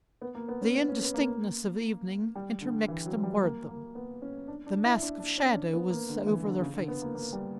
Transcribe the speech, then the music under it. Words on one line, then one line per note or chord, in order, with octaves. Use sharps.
The indistinctness of evening intermixed and blurred them; the mask of shadow was over their faces.
B3
A#3
B3
C#4
B3
C#4
B3
A#3
G3
D3
E3
F#3
G3
A#3
A#3
B3
C#4
D4
D4
E4
D4
D4
C#4
D4
B3
A#3
D3
E3
D3
C#3
D3
B3
A#3
A#3
G3